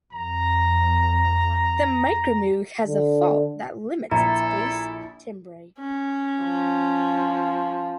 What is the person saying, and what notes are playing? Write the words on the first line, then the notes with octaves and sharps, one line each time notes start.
The Micromoog has a "fault" that limits its bass timbre.
F2 A#5
D3
A#1 E4 A4 A#5
C#4
F3